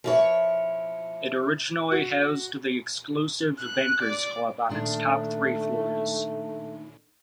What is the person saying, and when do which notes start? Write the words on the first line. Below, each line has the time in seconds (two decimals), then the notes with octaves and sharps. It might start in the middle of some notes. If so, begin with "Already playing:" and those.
It originally housed the exclusive Bankers Club on its top three floors.
0.04 F3 E4 C#5
1.91 F#4
3.60 F#6
4.02 D5
4.69 A#2 D#3 A3 D4